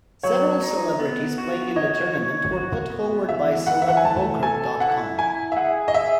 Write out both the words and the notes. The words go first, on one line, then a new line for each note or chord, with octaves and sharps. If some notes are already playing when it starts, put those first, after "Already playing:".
Several celebrities playing in the tournament were put forward by celebpoker dot com.
F#3 C#5
D#4
B3
F#4
C#5 D#5
C#5
F#4
B3
E3 E5
E3 F#5
E5
F#5
G#5
A3 A5
A4 G#5
E4 F#5
E4 G#5
E5
G#4 F#5
D#5
G#4 E5